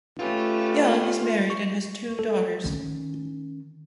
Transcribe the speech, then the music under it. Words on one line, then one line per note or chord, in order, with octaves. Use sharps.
Young is married and has two daughters.
A3 C#4 F4 G4 B4
C#6
A4
D#3 C#4